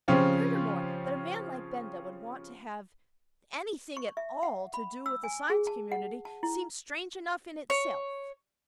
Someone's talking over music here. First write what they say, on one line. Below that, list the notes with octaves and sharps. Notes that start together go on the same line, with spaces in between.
Furthermore, that a man like Benda would want to have anything at all to do with the Science Community seemed strange enough in itself.
C#3 F3 C4 C#4 F4 G4
C#6
E5
F#5
B5
E6
G#5
G#4
A5
F#5
A5
E4
C#5